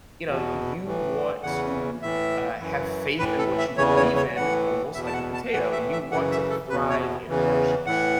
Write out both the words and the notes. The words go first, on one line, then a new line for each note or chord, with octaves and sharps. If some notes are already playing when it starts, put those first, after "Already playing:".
you know, you want to, uh, have faith in what you believe in almost like a potato, you want to thrive in harshness,
E2 B2
A2 E3
E2 C#3 E3 F#5
A2 E3 E5
F#2 E3
A2 E3 B4
A4
E5
E2 C#3 E3 C#5
C#5
C#5
A2 E3 F#5
E2 B2 E5
A5
F#5
A5
A2 E3 F#5
E5
E5
F#2 C#3 E3 F#5
E5
A4
E2 B2 B4
C#5
E2 C#3 E3
A2 E3 F#5